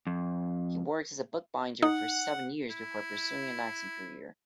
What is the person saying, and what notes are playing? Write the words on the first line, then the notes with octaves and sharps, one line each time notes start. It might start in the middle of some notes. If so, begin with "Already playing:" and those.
He worked as a book-binder for seven years before pursuing an acting career.
F2
D#4 F#5
E4